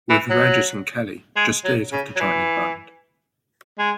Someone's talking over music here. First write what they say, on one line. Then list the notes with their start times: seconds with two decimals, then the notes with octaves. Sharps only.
With Regis and Kelly, just days after joining the band.
0.09 E3
0.30 F#3
1.36 G#3
1.64 F#3
1.92 C#3
2.16 F#3
2.20 E3
3.79 G#3